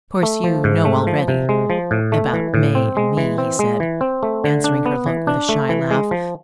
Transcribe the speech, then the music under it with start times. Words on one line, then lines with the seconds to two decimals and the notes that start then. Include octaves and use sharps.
"Of course you know already--about May and me," he said, answering her look with a shy laugh.
0.23 A3
0.44 F3
0.64 G#2
0.85 A3
1.07 F3
1.28 C3
1.49 G#3
1.70 F3
1.91 A2
2.12 A3
2.33 E3
2.54 A2
2.75 C4
2.97 G#3
3.17 E3
3.38 C4
3.59 G#3
3.80 E3
4.01 C4
4.23 A3
4.44 D3
4.64 D4
4.86 B3
5.06 E3
5.27 D4
5.49 A3
5.69 E3
5.91 G#3
6.11 F3